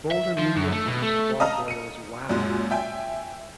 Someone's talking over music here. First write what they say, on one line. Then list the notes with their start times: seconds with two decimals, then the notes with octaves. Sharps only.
Bolder Media produced Bob Boyle's Wow!
0.12 E5
0.39 F3
0.57 F#2
0.73 A3
0.88 B2
1.03 A3
1.40 D#5 F5 A5 A#5 D#6
1.68 C#7 D#7
2.29 F#2 A#2 G#3
2.71 E5 G5 G#5